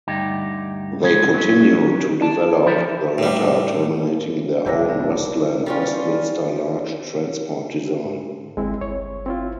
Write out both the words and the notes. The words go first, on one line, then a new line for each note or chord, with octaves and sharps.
They continued to develop the latter, terminating their own Westland Westminster large transport design.
D2 G2 D#4 G4
C#3 G#3 C#4
F#3 C#4
D5 A5
E3 F3 E4 G4 A4 A#4
A2 G3
F1 B1 F2 G3 D4 C5 E6 A#6
G3 C#4 F4
G#2
G1 G#3 C4 E4
G1 C#5
C4 E4 F4